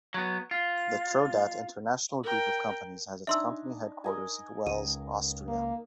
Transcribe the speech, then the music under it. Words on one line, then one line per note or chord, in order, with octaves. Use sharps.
The Trodat international group of companies has its company headquarters in Wels, Austria.
F#3 B3
F4
A#4 G5
D4 D#4 E5 G#5 C6 E6
A#4 D#5 G#5
C#2 D#7
A#3